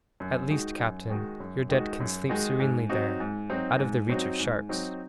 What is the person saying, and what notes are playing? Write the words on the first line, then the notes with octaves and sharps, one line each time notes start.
"At least, captain, your dead can sleep serenely there, out of the reach of sharks!"
F#2
D#3 G#3 D#4 F#4
F#2
D#3 G#3 D#4 F#4
F#2
D#3 G#3 D#4 F#4
F#2
D#3 G#3 D#4 F#4
G#2
F#3 C4 D#4 F#4
G#2
F#3 C4 D#4 F#4
G#2
F#3 C4 D#4 F#4
G#2
F#3 C4 D#4 F#4